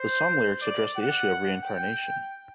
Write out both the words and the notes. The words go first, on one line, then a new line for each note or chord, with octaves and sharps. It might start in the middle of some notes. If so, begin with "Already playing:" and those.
The song lyrics address the issue of reincarnation.
Already playing: C5
D5
F#5
G5